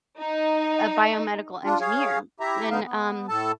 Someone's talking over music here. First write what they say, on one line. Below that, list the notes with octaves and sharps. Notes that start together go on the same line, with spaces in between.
a biomedical engineer and, um
D#4
D4 F4
G#4 C#5 F5
E4 G4 E5 A#5
A2 D3 B3 D#4 F5
B3
A2 A4 A5